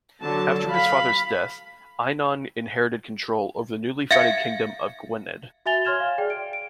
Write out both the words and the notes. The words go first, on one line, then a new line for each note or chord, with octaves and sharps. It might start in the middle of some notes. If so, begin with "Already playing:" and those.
After his father's death, Einion inherited control over the newly founded kingdom of Gwynedd.
D3 F#3 A5
F5 B5
E5 F5 G#6 C#7
F#4 E5 G#5 A6 F7 G7
C#5 C6 F6 G#6 E7
F5
G#4 D5 G5
D7
D7